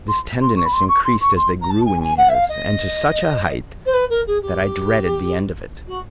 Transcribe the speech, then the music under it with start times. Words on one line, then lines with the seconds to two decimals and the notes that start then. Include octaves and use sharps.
This tenderness increased as they grew in years, and to such a height, that I dreaded the end of it.
0.08 C6
0.41 C6
0.56 C#6
0.65 B5
0.73 C6
0.88 C#6
1.04 C6
1.20 C#6
1.36 C6
1.61 A#5
1.69 A5
1.86 G#5
2.00 G#5
2.17 F#5
2.29 E5
2.33 F5
2.49 D#5
3.86 C5
3.93 B4
4.09 A#4
4.27 G#4
4.42 G4
5.87 F#4